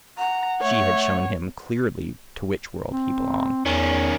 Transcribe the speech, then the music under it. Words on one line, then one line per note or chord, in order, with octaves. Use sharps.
She had shown him clearly to which world he belonged.
F#5 A#5
A3 C#5
C4
E2 D#3 C#4